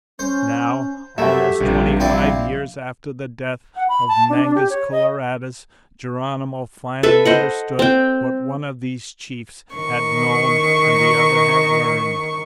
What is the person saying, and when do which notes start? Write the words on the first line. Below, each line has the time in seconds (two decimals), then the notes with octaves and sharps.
Now, almost twenty-five years after the death of Mangus Coloradus, Geronimo finally understood what one of these chiefs had known and the other had learned.
0.19 C#4 C5
1.18 F#2 A3 G4 E5
1.60 A#1 G2 C3
2.00 C4 E4 D5 F5
3.76 F#5
3.89 B5
4.08 A5
4.30 D4
4.42 D4
4.55 G4
4.70 C#5
4.92 D#5
7.03 A4 B4 E5
7.25 C5 D#5 F#5
7.79 C4 G5
9.74 D#3 C#6